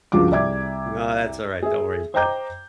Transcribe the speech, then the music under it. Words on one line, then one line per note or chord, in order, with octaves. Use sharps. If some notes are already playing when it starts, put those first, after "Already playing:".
No, that's alright. Don't worry about it.
C#2 G2 F3 F4 F#4 D6
C2 D5 E5 D6 G#6
G#4 E5
C5 D#5 G5 A#5 D6 G6